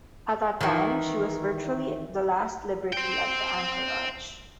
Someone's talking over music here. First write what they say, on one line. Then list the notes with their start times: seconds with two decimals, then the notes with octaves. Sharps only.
At that time, she was virtually the last Liberty at the anchorage.
0.61 D#3 E3
2.93 C5 G5